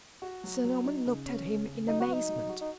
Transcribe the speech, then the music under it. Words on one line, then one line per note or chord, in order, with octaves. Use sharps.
Sir Norman looked at him in amazement.
F#4
F#3
F#3
D#4
C#3
C#4
C#3
C#3
F#3 D#4
F#4
F#3
D#4
F#3
F#4
D#4